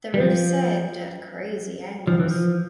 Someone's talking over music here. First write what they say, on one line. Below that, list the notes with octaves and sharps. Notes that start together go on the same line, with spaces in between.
The roof sagged at crazy angles.
G3
F3
F3
E3
F3